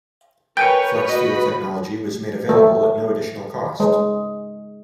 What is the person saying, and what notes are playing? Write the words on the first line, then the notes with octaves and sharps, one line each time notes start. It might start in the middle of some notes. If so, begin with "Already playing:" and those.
Flex-fuel technology was made available at no additional cost.
A#4 B4 C#5 G5 G#5 G6 C#7
F#4 D#5 B5
A3
G#3